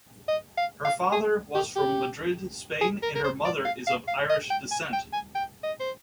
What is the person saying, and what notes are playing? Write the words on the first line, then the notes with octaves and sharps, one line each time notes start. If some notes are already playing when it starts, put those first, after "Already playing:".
Her father was from Madrid, Spain and her mother is of Irish descent.
D#5
F5
F5
G#4
G4
G4
G#4
A#4
A#4
C5
D5
F5
F5
F5
D#5
G5
G#5
G5
G#5
G5
D#5
C5